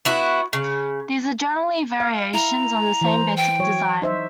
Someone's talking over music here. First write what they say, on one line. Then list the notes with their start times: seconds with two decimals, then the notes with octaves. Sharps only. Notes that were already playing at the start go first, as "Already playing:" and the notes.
These are generally variations on the same basic design.
0.05 B3 E4 F#4
0.53 C#3
2.00 F5
2.34 E4 A#5
3.01 E3 C5
3.37 G5
3.59 F#3 C#5
4.02 D#4 C5 E5